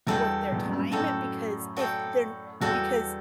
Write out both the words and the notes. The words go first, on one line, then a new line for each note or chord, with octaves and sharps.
worth their time because if they're n because
E2 G2 F#4 A4 D5 G5
E2
F#2
G2
F#2 A2 F#4 A4 D5 G5
F#4 A4 D5 G5
E2 G2 F#4 A4 D5 G5